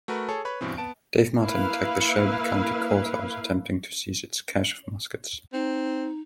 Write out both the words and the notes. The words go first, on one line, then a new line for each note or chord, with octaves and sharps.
Dave Martin attacked the Shelby County Courthouse, attempting to seize its cache of muskets.
A3 F#4 A#4 B4
G#4 A4 C#5
B4 C#5 B5
G2 B2 E3 C4
B3 A5 D7
A#3 E4 B4 F5
C4 D#4